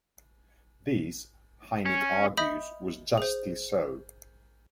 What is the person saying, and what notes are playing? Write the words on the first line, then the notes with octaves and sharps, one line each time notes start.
This, Heynick argues, was justly so.
C#4
D#5 E5 B5 D#6 G6 B6
G#4 C5